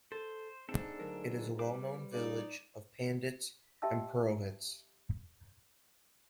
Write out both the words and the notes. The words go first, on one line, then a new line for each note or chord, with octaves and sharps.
It is a well-known village of Pandits and Purohits.
A4 C5
G#2 C4 D4 A4
D2 F#3 A#4
G3 B4 C5 D6
C#3 D#4 D5
G4 D#5 E5 G5 A5 E6